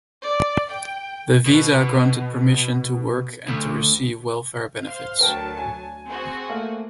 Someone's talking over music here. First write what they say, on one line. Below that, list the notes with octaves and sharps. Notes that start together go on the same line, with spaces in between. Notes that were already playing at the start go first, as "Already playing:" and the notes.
The visa granted permission to work and to receive welfare benefits.
D5
G5
B2
D2
C5 F5 C6
D2 F#3 A#4 G5 A5
G#5
C4 F#4 G#4
A3 A#3